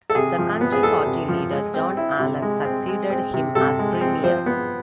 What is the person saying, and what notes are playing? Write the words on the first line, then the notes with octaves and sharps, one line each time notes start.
The Country Party leader, John Allan, succeeded him as Premier.
A4
C3 G#4
F3
B3
G#4
E2 A4
C3
F3
G#3
C4
E4
C3
G#3
C4
G#3
C4
C3
C3 A4
G#3
C4
F3 C5
B3